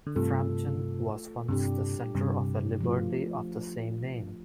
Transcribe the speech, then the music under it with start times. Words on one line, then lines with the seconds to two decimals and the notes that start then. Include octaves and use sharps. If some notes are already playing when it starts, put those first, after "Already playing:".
Frampton was once the centre of a Liberty of the same name.
0.07 D3
0.16 G2 C3 A3 F4 A4
1.48 G2 C3 G3 D4 G4
2.15 G2 C3
2.81 F3 A3 F4